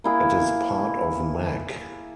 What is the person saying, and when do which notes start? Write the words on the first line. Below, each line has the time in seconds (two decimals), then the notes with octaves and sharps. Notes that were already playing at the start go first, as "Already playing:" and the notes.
It is part of Mac.
0.04 A#3 E4 G#4